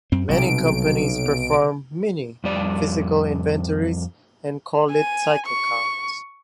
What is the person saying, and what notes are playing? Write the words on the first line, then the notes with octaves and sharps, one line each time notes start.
Many companies perform "mini" physical inventories and call it cycle counts.
F#2 C4
B1 C3 G3 B3 D7
F2 G3 D5
G#5
C#6